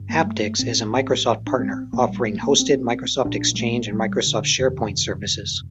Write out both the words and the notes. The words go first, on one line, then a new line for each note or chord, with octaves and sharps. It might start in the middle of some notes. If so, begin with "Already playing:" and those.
Apptix is a Microsoft partner, offering hosted Microsoft Exchange and Microsoft SharePoint services.
Already playing: G1 G2
A#3
G3
A3
A3
A#1 A2 C4
C4
D4
C4
A#1 A#2 A#3
G3
A3
A#3
C4
A#1 A#2 D4
G3
A3
G3
D3
G1 F2 C3 D#3